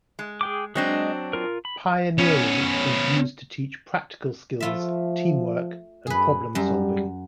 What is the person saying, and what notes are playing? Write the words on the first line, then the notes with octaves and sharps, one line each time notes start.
Pioneering is used to teach practical skills, teamwork and problem solving.
G#3
G#4 G5 D6
F#3 G#3 C4 D4 D#5
F4 A#4
B5
B3 C#4
F3 A3 F4 E5
F#2 G#4 B4
F#2 G3